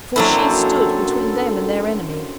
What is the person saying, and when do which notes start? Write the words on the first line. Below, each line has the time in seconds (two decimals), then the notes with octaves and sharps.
For she stood between them and their enemy.
0.16 F#2 F#3 A#3 C4 D4 E4 A4